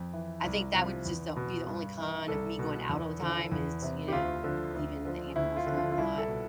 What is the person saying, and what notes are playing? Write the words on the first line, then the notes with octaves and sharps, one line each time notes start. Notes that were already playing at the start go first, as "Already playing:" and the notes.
I think that would just o be the only con of me going out all the time is, you know, leaving the animals alone a lot.
Already playing: F2
E3
C2
C3 F3
E2
B2
G2
E3
C2 A4
B2
E2
D3 F3
E2
C3 E3
G4
D2 F4
D3 F3
D2
D3 F3
D2 E4
F4
D3 F3
F4
F4
C2 E4
A4
B2